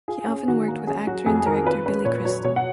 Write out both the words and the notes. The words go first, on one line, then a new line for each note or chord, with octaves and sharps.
He often worked with actor and director Billy Crystal.
F4 G#4
C#4
D#3 F#4
A#3
C#4 G#4
F#3 F#4
F2 G#4
D#3 A#4
F4 B4
C#4 B4
A#2 C#5
F#3 C#5
B2 C#5
F#5